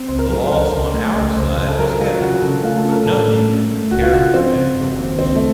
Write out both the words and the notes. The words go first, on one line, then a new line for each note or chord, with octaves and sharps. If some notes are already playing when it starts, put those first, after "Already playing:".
The loss on our side was heavy, but nothing to compare with Van Dorn's.
Already playing: C4
C#2 C5
A#4
F#3 A#4
A4
C5
C#2 A#4
C#2
A3
C#2
C#2 C5
C#3 C5
A4
F#3 A#4
A#4
F#3 F4
C#3 F#4
C#3 A4
A3 F4
A4
C#4
A#4
A2 A4
A3
C#4
A3
C#2 F#4
F4
C#3 F#4
F3 C4
C#3
F1
D#2
C#2 C4
A3